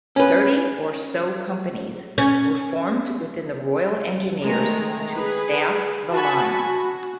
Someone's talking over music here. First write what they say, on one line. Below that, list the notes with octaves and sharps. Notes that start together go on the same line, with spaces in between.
Thirty or so Companies were formed within the Royal Engineers to staff the lines.
C#4 B4
C#4
D#3 G#3 A3 A#5
G#4 B4
F#4 G#5 A5 B5 C#6
F#4